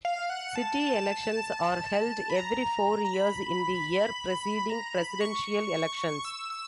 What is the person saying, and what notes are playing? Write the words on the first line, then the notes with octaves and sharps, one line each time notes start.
City elections are held every four years in the year preceding presidential elections.
F5
F#5
A5
B5
A#5
A#5
B5
A#5
B5
C#6
E6
E6